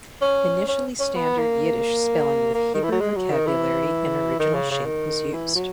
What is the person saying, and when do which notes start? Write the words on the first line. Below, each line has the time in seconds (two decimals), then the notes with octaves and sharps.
Initially standard Yiddish spelling with Hebrew vocabulary in original shape was used.
0.22 C#4
0.68 C#4
1.00 C#4
1.15 B3
1.38 A#3
2.54 A#3
2.74 D#3
2.83 E3
2.92 F#3
3.01 G#3
3.16 F#3
3.31 D#3
3.47 E3
4.39 D#3
4.55 C#3
4.71 C#3
4.86 D#3
5.33 E3
5.55 F#3